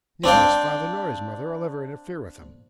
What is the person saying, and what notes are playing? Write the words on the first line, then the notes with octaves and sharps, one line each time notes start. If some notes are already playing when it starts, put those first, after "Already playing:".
Neither his father nor his mother will ever interfere with him.
C4 D4 F5 G5